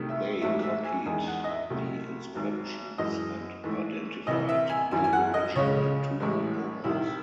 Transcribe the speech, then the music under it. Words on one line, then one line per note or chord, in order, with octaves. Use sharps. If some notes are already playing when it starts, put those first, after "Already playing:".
They copied the inscriptions and identified the original tomb owners.
Already playing: C2 C3 D#3 F#3 A3
E5
A1 G#2 F#3 A3 E5
E5
G#5
E2 D#3 G#3 G#5
F#5
D#5
E5
C2 C3 F#3 A3
G#1 G#2 F#3
F#2 E3 G#3 D#5
G#2 E3 A3
C2 C3 E3 D#5
E5
G#5
G#1 F#2 E3 G#5
G#5
F#5
D#5
C#2 C#3 G#3 C#5
A1 A2 E3 G#3
C2 C3 D#3 E4